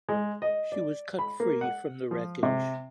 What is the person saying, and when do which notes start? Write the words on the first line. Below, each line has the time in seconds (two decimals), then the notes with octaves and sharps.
She was cut free from the wreckage.
0.09 G#3
0.42 D#5
0.72 D5
1.19 B5
1.40 A#3
1.61 F#5
2.11 F3
2.43 C3